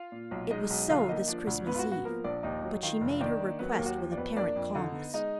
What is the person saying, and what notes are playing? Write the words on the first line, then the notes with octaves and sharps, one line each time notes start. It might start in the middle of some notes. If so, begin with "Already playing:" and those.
It was so this Christmas Eve; but she made her request with apparent calmness.
Already playing: F4 F5
A#2
B1
G#3 D#4 D#5
B1
D3 F4 F5
A#3 D#4 D#5
F3 D4 D5
D2
G#2 B3 B4
F4
F#4
B3
F#4
F3 A#3 A#4
A#1 D4 D5
D#2 D#4 D#5
F#3
D#3 F4 F5
F1
D#3 D4 D5
A#3
F#3 B3 B4
A#3 A#4
D#2
F#4
F3
D5
F2 B3 B4
A#3 D4 D5
F2
D3 D#4 D#5
B3
G#3 D#4 D#5